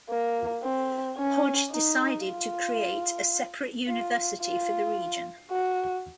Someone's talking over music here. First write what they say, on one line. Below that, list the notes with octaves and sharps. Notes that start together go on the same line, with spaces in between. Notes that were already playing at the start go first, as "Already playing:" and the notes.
Hodge, decided to create a separate University for the region.
A#3
C4
C#4
D#4
F4
F4
F4
F#4